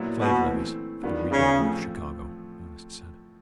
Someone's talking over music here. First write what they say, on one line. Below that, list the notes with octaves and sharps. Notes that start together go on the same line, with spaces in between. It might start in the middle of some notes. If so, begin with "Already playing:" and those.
"Slave-levies for the rebuilding of Chicago," Ernest said.
Already playing: A#2 F#3 B3 E4
B2
E3 A3 C4
D#3 G3 B3 D4 F4
C#3
A2 F3 A3 C4